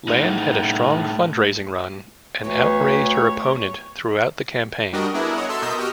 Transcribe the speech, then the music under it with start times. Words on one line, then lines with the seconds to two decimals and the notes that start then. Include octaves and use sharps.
Land had a strong fundraising run and outraised her opponent throughout the campaign.
0.09 A2 D#4
2.44 D2 E3 F#3 B3 C#5
4.93 G3 D4 F#4 A#4 D#5
5.14 B3 D4 E4 G#4 A#4
5.33 C#5 D#5 F#5
5.49 F#4 A4 E5 C6 E6
5.62 B2 A#4 D#5 G6 B6
5.78 F#4 G4 D#5 G5 D#6 F6